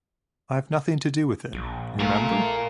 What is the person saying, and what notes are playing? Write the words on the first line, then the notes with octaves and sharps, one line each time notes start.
I’ve nothing to do with it, remember.
A#1
A3 F4 A#4